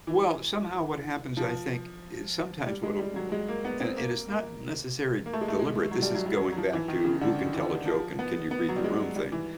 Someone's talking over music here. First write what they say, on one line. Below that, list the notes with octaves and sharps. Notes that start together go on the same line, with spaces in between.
well, somehow what happens, I think, is sometimes what wha oh, uh, and it's not necessarily deliberate. This is going back to who can tell a joke and can you read the room thing.
E3
F3
G3
G#3
G3
F#3
G#3
A#3
B3
C4
A#3
A#3
A#3
A3
G#3
A3
G#3
F#3
G3
F#3
G3
F#3
F#3
F3
E3
D#3
C#3
D3
E3
F3
B3
B3
F#3
G3
G#3
G3
E3